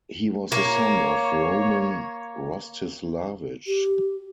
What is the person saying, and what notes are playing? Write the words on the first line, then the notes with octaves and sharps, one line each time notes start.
He was the son of Roman Rostislavich.
A#3 C#5
G4